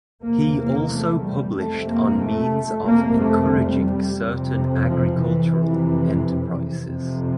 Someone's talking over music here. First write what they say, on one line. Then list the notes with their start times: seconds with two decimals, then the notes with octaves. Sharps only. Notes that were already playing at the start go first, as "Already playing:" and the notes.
He also published on means of encouraging certain agricultural enterprises.
0.23 E2 C3 A#3
0.56 A#3
0.89 A3
1.22 G3
1.55 F2 C3 A3
1.88 A#3
2.21 A3
2.87 F2 C3 A#3
3.20 A3
3.52 G3
4.18 F2 C3
4.84 F3
5.16 E3
5.50 F2 C3 E3
6.82 F2 C3